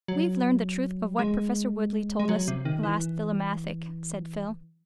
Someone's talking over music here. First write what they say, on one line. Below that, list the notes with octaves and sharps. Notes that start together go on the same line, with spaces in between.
"We've learned the truth of what Professor Woodleigh told us last Philomathic," said Phil.
F#3
G#3
G#3
F#3
C3
D#3
E3